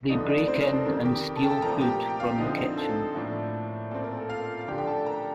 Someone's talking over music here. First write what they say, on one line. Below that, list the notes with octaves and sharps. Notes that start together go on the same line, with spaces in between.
They break in and steal food from the kitchen.
F2 D3 F3 A3 D4 D#4 D#5
D4 D5
C4 C5
A#4
A4
F2 C3 D#3 A#4
G4 G5
A4 A5
G5
A4 A5
A#2 F3 A3 C4 A#4 A#5
G4 G5
G5
F4 F5
D3 F3 C4 D#4 D#5
C4 C5
A4
A2 F3 A#3 D4
A#2 A3 C4 A4
A#4
A4
F4 F5
F5
D3 F3 A3 D4 G4 G5
G5
A4 A5
A#4 A#5